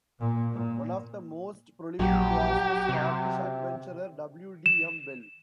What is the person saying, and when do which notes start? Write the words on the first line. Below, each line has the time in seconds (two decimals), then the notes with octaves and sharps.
One of the most prolific was the Scottish adventurer W. D. M. Bell.
0.19 A#2
0.53 A#2
1.99 A#1 F#3 G4
2.89 C3
4.66 E7